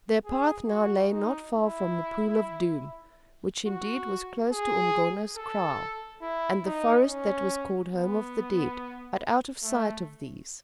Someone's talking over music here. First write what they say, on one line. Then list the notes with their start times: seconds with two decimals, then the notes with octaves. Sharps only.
Their path now lay not far from the Pool of Doom, which, indeed, was close to Umgona's kraal, and the forest that was called Home of the Dead, but out of sight of these.
0.25 G#4
0.67 F#4
1.11 D#4
1.52 E4
3.67 F#4
4.51 G#4
5.37 A4
6.22 E4
6.65 D#4
7.07 C#4
7.93 B3
9.63 A3